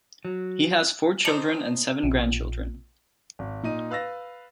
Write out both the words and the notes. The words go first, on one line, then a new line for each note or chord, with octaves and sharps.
He has four children and seven grandchildren.
F#3
D4 D#4 C5 C#7 F7 F#7
A#1
G#1
A#2 D#4 D#7
B4 F5 E6 A6 A#6